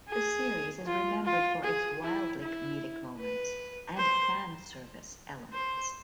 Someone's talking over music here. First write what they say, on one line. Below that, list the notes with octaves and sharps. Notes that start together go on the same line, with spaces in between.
The series is remembered for its wildly "comedic" moments and fanservice elements.
G#4
F4
F4
G#4
E4
E4
B4
C5
C5